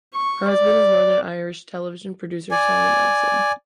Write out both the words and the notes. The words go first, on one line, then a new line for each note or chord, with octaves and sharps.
Her husband is Northern Irish television producer Simon Nelson.
C#6
D5
D5 G#5